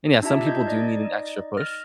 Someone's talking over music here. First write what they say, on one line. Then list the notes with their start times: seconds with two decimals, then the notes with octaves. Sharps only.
And, yeah, some people do need an extra push,
0.23 D4 D#4 F4 G4 E5 A5
0.46 D#5 G6 G#6
0.67 D#4 D5 D#5
1.57 F6 A6 A#6